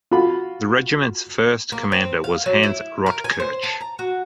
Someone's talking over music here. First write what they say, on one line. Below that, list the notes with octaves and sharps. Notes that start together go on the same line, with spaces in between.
The regiment's first commander was Hans Rotkirch.
F4 F#4 A4 B5
A#3
C4
F5
F#3
E4
A#4
G#5
C5
A5
A#5
F#4